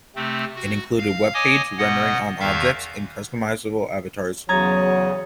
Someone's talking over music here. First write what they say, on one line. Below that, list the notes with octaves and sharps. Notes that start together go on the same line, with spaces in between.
It included web page rendering on objects and customizable avatars.
C3 A3 C4
F#4
F5
C#5 D#5 G#5 D6 D#6
B2 B3 D#5 F#5
E2 D#3 E5 F5
E2 C#3 F#3 C#5 A#5 D#6 G#6 A6